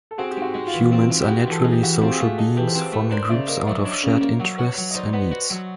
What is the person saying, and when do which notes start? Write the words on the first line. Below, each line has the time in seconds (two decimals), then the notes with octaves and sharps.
Humans are naturally social beings, forming groups out of shared interests and needs.
0.11 A4
0.18 C4 F#4 G#4
0.31 G4
0.36 G#2
0.42 F#4
0.54 G#3
0.67 F4
0.74 E3
0.91 C4 F4
1.10 G#2
1.21 G4
1.28 G#3 F#4
1.47 E3 A4
1.61 D#4 G#4
1.73 G4
1.83 E3 F#4
2.01 C4 F4 G4
2.12 G#4
2.19 A3 F4 G4
2.38 D#4 A4
2.48 G#4
2.56 E3 G4 A4
2.67 C5
2.75 C4 A4 B4
2.93 A3
3.03 B4
3.11 D4 A#4 C5
3.29 C#3 D5 E5
3.48 A#3 D#5 F5
3.66 F#3 D5 E5
3.84 D4 C#5 D#5
4.03 C#3
4.21 A#3
4.40 F#3
4.58 F#4 B4 C#5
4.77 F#3
4.91 D#5
4.94 D#4 C5 D5
5.13 B3
5.31 F#4
5.50 F#3